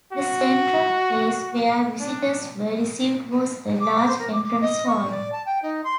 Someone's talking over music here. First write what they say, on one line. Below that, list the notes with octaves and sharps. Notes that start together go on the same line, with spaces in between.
The central place where visitors were received was a large entrance hall.
F#4
D4
D6
C5
A#4
D6
D6
D#5
C#6
D5
A5
G5
D#4
C6